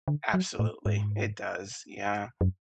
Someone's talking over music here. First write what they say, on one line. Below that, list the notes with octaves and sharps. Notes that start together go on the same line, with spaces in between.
Absolutely, it does, yeah.
D3
F#3
A2
G#2
F#2